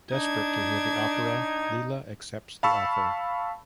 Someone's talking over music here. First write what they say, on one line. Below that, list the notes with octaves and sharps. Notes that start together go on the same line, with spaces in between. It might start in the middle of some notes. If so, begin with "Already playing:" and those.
Desperate to hear the opera, Leela accepts the offer.
D4 D#4 G#6
F5 A5 B5 C#6 E6